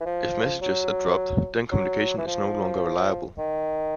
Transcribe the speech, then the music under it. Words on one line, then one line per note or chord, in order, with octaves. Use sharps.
If messages are dropped, then communication is no longer reliable.
E3
F3
F#3
F#3
E3
F3
D#3